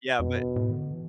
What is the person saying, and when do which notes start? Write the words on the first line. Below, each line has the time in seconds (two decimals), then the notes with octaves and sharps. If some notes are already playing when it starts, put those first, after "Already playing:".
yeah, but
0.19 F2 B2
0.29 F#2
0.38 G2
0.56 A2
0.70 D#3
0.75 D3
0.94 E3